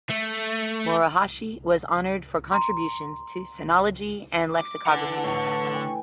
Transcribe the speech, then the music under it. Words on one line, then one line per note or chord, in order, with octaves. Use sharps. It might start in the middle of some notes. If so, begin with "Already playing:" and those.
Morohashi was honored for contributions to sinology and lexicography.
A3
A#5 C6
D6
D3 E3 F#5
A2 C#6
B4 G5 G#5